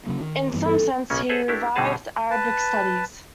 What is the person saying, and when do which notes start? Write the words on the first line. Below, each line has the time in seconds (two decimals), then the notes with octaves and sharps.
In some sense, he revived Arabic studies.
0.06 C#3 F#3 A#3
0.21 D#3
0.53 G2 E3 B3
0.65 A4
1.10 B1 C#3 A#3 C#4
1.29 G#4 A4 C5 C#5 E5 F#5
1.48 A3 D4 E4 G4
1.76 B2 D3 G3 D#4 G#4 A5
2.30 B4 A5